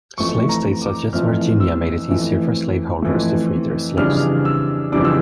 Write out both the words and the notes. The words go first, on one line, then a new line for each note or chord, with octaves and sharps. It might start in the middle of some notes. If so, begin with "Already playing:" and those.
Slave states such as Virginia made it easier for slaveholders to free their slaves.
F2 E3 A3 C#6
A#5
D6
F2 E3 A3 F6
E6
F2 E3 A3
F2 E3 A3
F2 C#3 E3 G3 D4 F6
E6
F2 C#3 E3 G3 D4 D6
E6